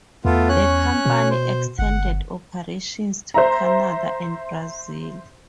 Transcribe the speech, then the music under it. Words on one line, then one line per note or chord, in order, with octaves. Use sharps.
The company extended operations to Canada and Brazil.
E2 A3 B3 F4
C#4 C#5 F#6
B2
C5
G1 F#5
C5 E5 A#5